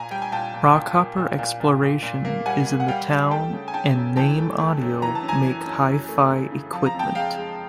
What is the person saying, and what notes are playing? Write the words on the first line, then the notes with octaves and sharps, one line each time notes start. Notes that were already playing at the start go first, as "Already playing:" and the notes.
Rockhopper Exploration is in the town and Naim Audio make hi-fi equipment.
Already playing: A#2 G#5 A#5
G3 G5
G#5
A#2 G5 A5
A#2
A#2
A#3
A#2
A#2
A#2
A#2
A#2
A#3
G3 F#5 G#5
A#3
F#5
G3 F5 G5
G3
A3 G5 A5
C#3
G#5
C#3 G5 A5
F#2
E3 G5 A5
A3
A3
F#2
E3 A#5
A5
F#2
G#5 A#5
E3
F#2
F#2
A3
C#3
C#3
F3 A5
A#5
F2
G5 A5
G#3 F5 G5
G#3